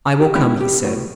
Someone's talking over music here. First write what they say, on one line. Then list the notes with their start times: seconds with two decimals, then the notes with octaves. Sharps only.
"I will come," he said.
0.20 G4
0.35 G#3 B3 C#4 E4 G5 B5
0.61 G4
0.84 A2 F#3